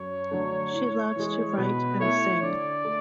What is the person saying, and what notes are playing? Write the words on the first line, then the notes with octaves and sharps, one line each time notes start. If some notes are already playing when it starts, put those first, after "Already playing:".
She loves to write and sing.
Already playing: F#2 C#5
D3 F#3 A3 D4
A2
E3 G#3
B2 B4
A3 E4 A4 C#5
D3 D5
A3